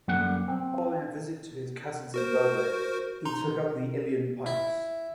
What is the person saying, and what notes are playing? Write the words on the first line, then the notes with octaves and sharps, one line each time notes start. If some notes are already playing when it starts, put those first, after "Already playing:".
Following a visit to his cousins in Dublin he took up uilleann pipes.
F#2 D3 G3 A#3 F#5
C4
F#4 A#4 C5
D#4 A#5 C6
E4